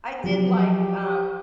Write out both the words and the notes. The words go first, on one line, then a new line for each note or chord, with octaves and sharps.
I did, like, um,
F3 F#3 G4